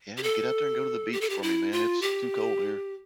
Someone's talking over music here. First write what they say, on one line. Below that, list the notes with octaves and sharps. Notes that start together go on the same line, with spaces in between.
Yeah, get out there and go to the beach for me, man. It's too cold here.
G4
A4
G4
A4
G4
E4
F4
G4